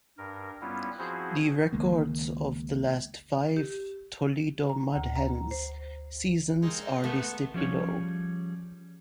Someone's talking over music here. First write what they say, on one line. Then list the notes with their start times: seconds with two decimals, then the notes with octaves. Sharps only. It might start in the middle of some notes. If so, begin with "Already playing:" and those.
The records of the last five Toledo Mud Hens seasons are listed below.
0.18 G2 A#4
0.61 G3 B3 C#4 E4 F4
0.99 F3 C4 E4 F#4 G#4 C5
1.73 C#2 D#3 G#3 A#3
3.57 G4
4.69 A#5
4.96 D2
5.16 A#5
5.51 C5
6.63 G#3 A#3 C4 D#4
7.04 A3 B3
7.54 F3 G3 C#4 G#4 C#5